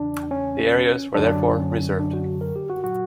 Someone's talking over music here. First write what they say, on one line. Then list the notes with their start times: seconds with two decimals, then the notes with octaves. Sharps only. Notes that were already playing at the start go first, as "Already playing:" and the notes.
The areas were therefore reserved.
Already playing: E2 C#3 E3 D4
0.31 C#4
1.15 F#2 D3 F#3 D4
1.58 C#4
1.99 D4
2.13 F#4
2.41 A#4
2.56 G4
2.70 F#4
2.84 A#2 F#3 F#4